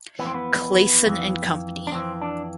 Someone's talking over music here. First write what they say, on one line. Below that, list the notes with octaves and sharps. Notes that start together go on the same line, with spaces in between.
Clayson and Company.
F2 E3 B3
C4
B3
F2 E3
D4
F2 E3 C4
D4